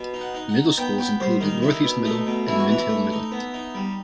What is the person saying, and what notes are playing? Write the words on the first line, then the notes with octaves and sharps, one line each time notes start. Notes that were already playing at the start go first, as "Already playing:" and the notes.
Middle schools include Northeast Middle, and Mint Hill Middle.
Already playing: B2
D#4
F#5
D#4
F#5
D#4
B3 G5
B3 G5
G3 C5
D#3 D#4
D#4 E4
B2
A3 D#4
B2
E3 E4
F#4
E3 E4
A3
D#4
B3
D#4
G3